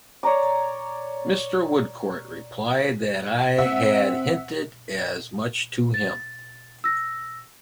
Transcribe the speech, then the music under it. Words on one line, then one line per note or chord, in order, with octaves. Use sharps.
Mr. Woodcourt replied that I had hinted as much to him.
C#5 D5 A#5 D6
C4 E5 F#5
A6
E6 A#6